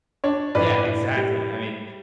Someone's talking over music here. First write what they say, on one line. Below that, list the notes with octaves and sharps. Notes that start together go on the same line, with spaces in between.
Yeah, exactly, I mean,
D4 C#5
A2 B4 D5
A2
G3